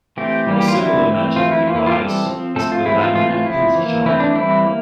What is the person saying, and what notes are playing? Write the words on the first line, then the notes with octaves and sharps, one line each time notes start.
A similar magical device is the "lemon and pins" charm.
E3 A3 C4 G4
E3 G3 A#3
G4
F4
D3 G3 C4 E4
E3 A3 C4
E3 A3 C4 F4
E4
E3 A#3 F4
E4
F4
G4
E3 G3 C4 A4
F3 C4
F3 A3 C4 A4
F4
E3 A3 C4 E4
F4
E3 A3 C4 F4
F4
F3 C4 E4
E3 A#3
E3 A3 C4 E4
D4
E3 G3 C4 E4
A#3